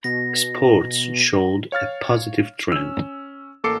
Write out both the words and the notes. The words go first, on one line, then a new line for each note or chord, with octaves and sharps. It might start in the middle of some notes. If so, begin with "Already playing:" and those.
Exports showed a positive trend.
B2 A#6
C#5 F5 F6 A6
C#4 E6
A1 A#3 A4 D6 C7 C#7